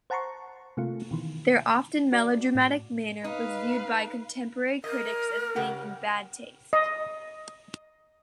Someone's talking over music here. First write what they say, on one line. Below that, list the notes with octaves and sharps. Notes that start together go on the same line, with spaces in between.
Their often melodramatic manner was viewed by contemporary critics as being in bad taste.
C5 F#5 A5 A#5 C6 C#6
C3 A3 A#3 F4
B2 D#3 E3
F#4 D5
A2
D#4 B4 F5
A#4 D#5
C#3 G4 F#5
D#5